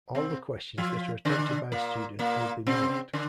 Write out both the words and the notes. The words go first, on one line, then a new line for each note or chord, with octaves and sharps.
All the questions that are attempted by a student will be marked.
C3 C4
F3 F4
D3 D4
A#2 A#3
A#2 A#3
C3 C4
D3 D4